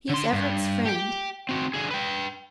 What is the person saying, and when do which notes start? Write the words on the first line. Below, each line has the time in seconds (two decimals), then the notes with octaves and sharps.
He is Everett's friend.
0.09 D3 C6
0.33 G2
0.85 G4 G5
1.49 C4 F#4
1.74 D3 G#4
1.91 B4 G5